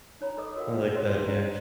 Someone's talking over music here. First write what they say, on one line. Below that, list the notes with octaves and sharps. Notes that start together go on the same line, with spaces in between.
I like that, yeah.
D#4 C#5 A#5 B5
A4 B4 D#5 D6 D#6
F#4 A#4 B4 D#5 F5 G5
B4 C#5 C6
C#4 E4
C5 D#5